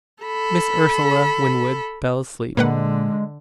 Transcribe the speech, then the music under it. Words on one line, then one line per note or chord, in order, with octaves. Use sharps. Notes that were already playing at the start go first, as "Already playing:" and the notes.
Miss Ursula Winwood fell asleep.
A4 B5
A#2 D3 G#3 A#3 B4 F#5